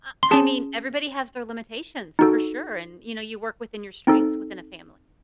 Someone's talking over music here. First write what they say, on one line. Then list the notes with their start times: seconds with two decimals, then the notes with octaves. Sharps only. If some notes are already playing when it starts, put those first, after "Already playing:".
I I mean, everybody has their limitations, for sure, and, you know, you work within your strengths within a family.
0.23 C6
0.31 C#4 G#4 A5
2.19 D#4 F#4 A4
4.07 C4 D#4 A4